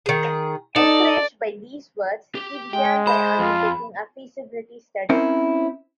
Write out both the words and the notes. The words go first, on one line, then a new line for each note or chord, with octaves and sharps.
Encouraged by these words, he began by undertaking a feasibility study.
D#3 G#4
D#4 A4 D5
G4
G#3 G5
C5 B5
F2 F4
C4 C#4 E4 A#4 C5